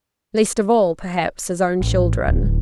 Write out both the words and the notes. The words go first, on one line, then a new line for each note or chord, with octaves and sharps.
Least of all, perhaps, his own children.
A1
D1